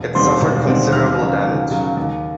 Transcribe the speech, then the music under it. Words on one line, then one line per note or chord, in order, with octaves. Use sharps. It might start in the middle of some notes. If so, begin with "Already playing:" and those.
It suffered considerable damage.
Already playing: E1
D#2 D3 G3 C4 C6
E1
D#2 D3 G3 C4
D#2 F6
C#3 F#3
D#2
C#3 F#3
D#2